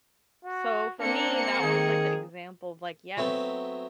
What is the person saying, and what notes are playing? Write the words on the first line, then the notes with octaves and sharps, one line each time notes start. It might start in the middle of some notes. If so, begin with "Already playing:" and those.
so for me, that was like the example of, like, "Yes,"
F#4
A#3 C4 D4 C#7
D#3 G#4
F#3 A3 B3 C4